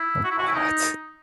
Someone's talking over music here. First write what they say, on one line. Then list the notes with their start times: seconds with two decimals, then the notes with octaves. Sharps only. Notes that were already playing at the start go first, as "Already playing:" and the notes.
Oh, what?
Already playing: E4
0.24 F#4
0.31 E4
0.39 F#4
0.48 E4
0.55 D#4